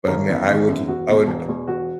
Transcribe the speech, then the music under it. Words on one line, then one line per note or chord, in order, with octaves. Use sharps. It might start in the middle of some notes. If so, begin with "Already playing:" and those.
But, I mean, I would l I would
G#1 A#4
F#2 E3 B3
G#1
F#2 E3 B3
E1 F#4
E2 B2
E1
E2 B2
E1 F#4